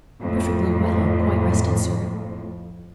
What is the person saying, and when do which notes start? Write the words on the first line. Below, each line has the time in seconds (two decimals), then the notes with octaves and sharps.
"Perfectly well; quite rested, sir."
0.21 F2 A2